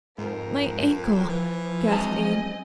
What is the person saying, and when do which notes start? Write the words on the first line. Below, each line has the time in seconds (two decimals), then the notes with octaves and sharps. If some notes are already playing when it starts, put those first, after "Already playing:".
"My ankle," gasped Anne.
0.18 F2 G#2 A#4
1.29 E3 F3
1.88 F#2 G#3 C4 D#5 G#5 A5